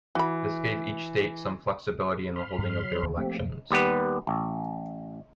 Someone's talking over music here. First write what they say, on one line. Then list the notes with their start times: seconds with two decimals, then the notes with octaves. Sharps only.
This gave each state some flexibility in the holding of their elections.
0.15 E3 F#4 B5
2.36 B5 C6 F6
2.58 G2
2.83 F#3
3.03 D#2 C#3
3.17 F3 A3 A#3 C4 G4
3.39 F#2
3.71 D#2 G3 B3 B4
4.27 A1